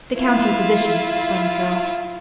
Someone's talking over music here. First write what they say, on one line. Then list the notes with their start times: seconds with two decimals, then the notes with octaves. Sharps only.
"The county physician," explained Carroll.
0.17 E4 F4